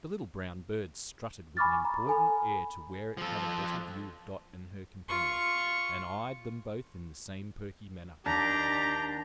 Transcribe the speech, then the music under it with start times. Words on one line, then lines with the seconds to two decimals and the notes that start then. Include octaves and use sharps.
The little brown bird strutted with an important air to where it had a better view of Dot and her companion, and eyed them both in the same perky manner.
1.57 G#5 B5 C#6 D6 F6 A6
1.85 A#5
2.07 A4 G#5 B5
3.17 F3 A4
5.09 F4 C#6
8.26 D#2 D4 G4 A#5